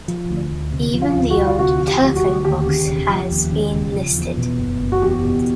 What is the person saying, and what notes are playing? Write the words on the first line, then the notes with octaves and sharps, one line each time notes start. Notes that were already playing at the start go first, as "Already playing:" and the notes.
Even the old telephone box has been "listed".
F3
D2
D2
C3
F3
F4
D2
F#4
D2
F4
C3 F#4
F3
G4
D2
F#4
D2
D#2 G4
C#3
E1
F3
D#2
C#3
E1
F3
E2
B2
F#1
F#1
F#4
E2 G4
B2